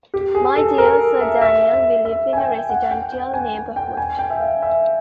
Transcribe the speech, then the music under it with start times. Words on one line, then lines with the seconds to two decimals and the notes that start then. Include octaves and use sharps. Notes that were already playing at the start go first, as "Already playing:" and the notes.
My dear Sir Daniel, we live in a residential neighborhood.
0.14 G4
0.35 G#4
0.56 A4
0.78 A#4
1.21 E5
1.42 E5
1.73 E5
2.05 E5
2.33 G#5
2.37 G5
2.69 F#5
2.91 G5
3.12 G5
3.34 G#5
3.55 G#5
3.76 G5
3.97 G#5
4.19 G5
4.30 E5
4.40 F5
4.62 E5